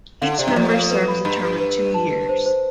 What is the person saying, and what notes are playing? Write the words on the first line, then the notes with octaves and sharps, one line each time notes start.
Each member serves a term of two years.
D3 F5
C3 D5
G2
F2 D5
F5
B4
B5
G2 B5
B4
B4
B4
A5
B4
C5
C5